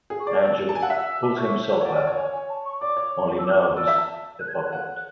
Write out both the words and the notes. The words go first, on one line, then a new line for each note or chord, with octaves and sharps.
Angel pulls himself up... only now he's a puppet.
G#4
C#6
D5 D6
E6
A5
G#5
F#5 E6
E5 F#6
E6
D6
C#6
C#5
D5 F#5
D5
F#5
C#5
C#5 G#5
G#5
A5
C#6
D5 D6
C#5
E6
D6
D6
D5 E6
E5
A5
F#6
G#6
F#6
F#5
F#6